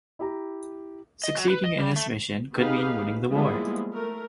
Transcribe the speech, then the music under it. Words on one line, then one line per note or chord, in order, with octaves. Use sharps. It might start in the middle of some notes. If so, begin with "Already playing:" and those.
Succeeding in this mission could mean winning the war.
E4 G4 A#5
D#5
F#3
B4
D#5
G3
A3
B3 D#4 G4 G#4 B4 F5
F3 G3 G#3 A#3 B3 E4
A3 A#4